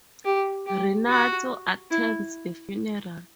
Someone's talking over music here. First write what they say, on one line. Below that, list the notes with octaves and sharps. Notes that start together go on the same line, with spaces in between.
Renato attends the funeral.
G4
G4
F#4
E4